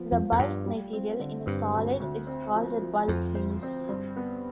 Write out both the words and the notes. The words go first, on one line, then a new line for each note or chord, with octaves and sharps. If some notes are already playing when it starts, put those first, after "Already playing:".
The bulk material in a solid is called the Bulk phase.
Already playing: F3 B3
F2 F3
F2
G2 F4
G3
C4
D3
G2 C4
D2
D2
C4
F3
F3
F2 F3
C5
C4
G2
B3